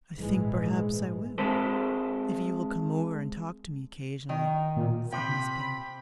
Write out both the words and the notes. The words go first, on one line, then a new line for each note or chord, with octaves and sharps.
"I think perhaps I will if you will come over and talk to me occasionally," said Miss Barry.
A#1 G#2 E3 G#3
G#3 C4 A4 C5
D#3
A#2
C3 G5 B5